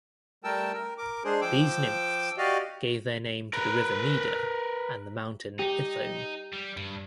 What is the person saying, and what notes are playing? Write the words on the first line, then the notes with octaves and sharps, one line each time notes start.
These nymphs gave their name to the river Neda and mountain Ithome.
G3 A3 A#4 G5 A5 E6
A#4
A#4 D6
G#3 D4 G#4 C5
F3 G5 D6 E6
F#4 G4 D5 D#5 F5
A#4 B4
D#4 G4
G3
G2